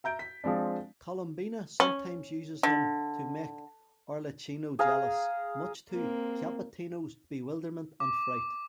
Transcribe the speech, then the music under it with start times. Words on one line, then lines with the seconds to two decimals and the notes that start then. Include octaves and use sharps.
Columbina sometimes uses him to make Arlecchino jealous, much to Capitano's bewilderment and fright.
0.04 E5 A#5 G6 D7
0.19 B6
0.44 F3 G#3 C4 D4
1.80 C#4
2.63 D3
4.79 G#4 F5 A#5
5.91 A#3 C4
8.00 D6